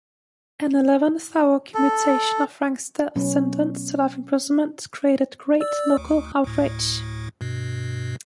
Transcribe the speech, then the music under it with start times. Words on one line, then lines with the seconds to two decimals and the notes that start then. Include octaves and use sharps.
An eleventh-hour commutation of Frank's death sentence to life imprisonment created great local outrage.
1.74 A4
3.16 B2 F#3 B3 C#4
5.60 D5 E6
5.97 D2
6.44 D2 A2
7.41 G2 B2